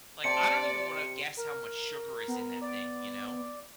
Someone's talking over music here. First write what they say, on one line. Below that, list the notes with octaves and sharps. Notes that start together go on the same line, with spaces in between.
like, I don't even wanna guess how much sugar is in that thing, you know?
C3 C5 D5 A5 C#7
A#4
B3
D5